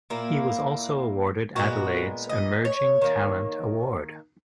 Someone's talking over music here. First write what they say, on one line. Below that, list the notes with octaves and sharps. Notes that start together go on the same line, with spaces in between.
He was also awarded Adelaide's Emerging Talent Award.
A#2 A#3 E4
A#2 G#3 B3 F#4
D#5
C#5
D#3 A#3